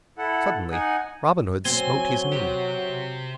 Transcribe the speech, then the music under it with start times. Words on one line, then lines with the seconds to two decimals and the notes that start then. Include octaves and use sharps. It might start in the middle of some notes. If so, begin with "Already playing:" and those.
Suddenly Robin Hood smote his knee.
0.18 E4 A4 F#5
0.71 D#4 F#5 G#5
1.65 F#3 C4 G#5 G7
2.32 G4 C5